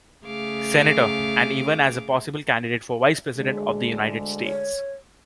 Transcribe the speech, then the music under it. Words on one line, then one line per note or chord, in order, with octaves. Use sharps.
Senator, and even as a possible candidate for Vice President of the United States.
C#3 A3 G#4 F5 D6
D2 D3 G#3
C#5